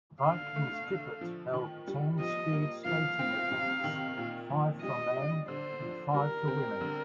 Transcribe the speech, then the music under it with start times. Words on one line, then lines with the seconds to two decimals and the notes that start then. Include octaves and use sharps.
Vikingskipet held ten speed skating events, five for men and five for women.
0.22 D3 F5
0.56 A3
0.88 D3
1.21 F3
1.53 D#3
1.87 G3
2.20 F3 D#5
2.53 A#3
2.85 F3 F5
3.19 C4
3.51 C3
3.84 D#3
4.18 A#2
4.50 F3
4.82 G3 D#5
5.16 D4
5.48 D3 C5
5.82 F3
6.14 G3 A#4
6.48 C4
6.81 D3